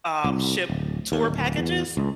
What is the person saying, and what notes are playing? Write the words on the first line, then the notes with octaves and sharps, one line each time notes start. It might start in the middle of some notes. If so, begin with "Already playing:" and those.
um, ship tour packages.
C2
D1
D#2
D1
E2
C#2